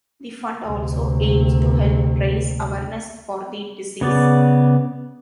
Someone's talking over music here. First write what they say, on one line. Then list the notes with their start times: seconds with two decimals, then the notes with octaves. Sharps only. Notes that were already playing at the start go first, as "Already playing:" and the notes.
The fund also aims to help raise awareness for the disease.
0.68 D2 C3
4.01 C#3 B3 D5